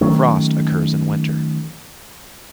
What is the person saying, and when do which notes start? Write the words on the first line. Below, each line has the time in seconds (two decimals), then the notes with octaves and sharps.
Frost occurs in winter.
0.01 D#3 F#3 A3 C#4